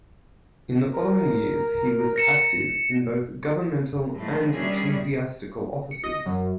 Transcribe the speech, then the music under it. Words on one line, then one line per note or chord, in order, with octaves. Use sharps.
In the following years he was active in both governmental and ecclesiastical offices.
A#4
A#6 C#7 E7
A2 E3 F3 G#3 A3
D#3 G3 C#4 D4 G#4 E5
C#7
D#5
F#2